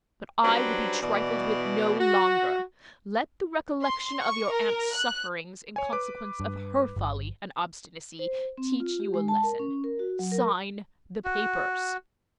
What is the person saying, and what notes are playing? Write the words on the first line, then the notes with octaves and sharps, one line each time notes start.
But I will be trifled with no longer: let the recollection of your aunt's sufferings, in consequence of her folly and obstinacy, teach you a lesson.--Sign the papers.'
F#3 G3 C#4 D4 B4 C5
B2 E3 D5
F#4
C6
C#6
A#4
F#6
C#5 G#5
B4 D6
G2
G1
C5
C4
F4
G4
G#3
A5
A#4
C#4
A#4
F#4
F#3
A#4
F#4